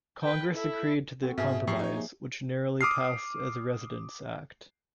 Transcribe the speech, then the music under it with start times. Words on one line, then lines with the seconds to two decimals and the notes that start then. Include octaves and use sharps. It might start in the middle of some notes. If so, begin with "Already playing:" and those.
Congress agreed to the compromise, which narrowly passed as the Residence Act.
0.22 B4 G5
0.55 E4 A4
1.23 C4 F#4 A4
1.38 G#2 B2 C4 G#4 E5
1.67 E2 F3 G4 C#6 C7
1.79 D#4 C#5
1.93 A#3 G4 G#4
2.81 D6 D#6 F6 C7